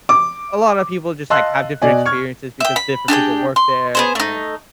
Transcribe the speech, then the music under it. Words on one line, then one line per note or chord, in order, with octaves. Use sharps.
a lotta people just, like, have different experiences because different people work there, and
D6
D#5 F5 A5 C6 E6 F#6
B2 D5 D#5 G#5
C#6 F6 G#6
E5 G5
B5
D4 G4 G#4 G5
C6
B3 G#4 C5
A3 D#4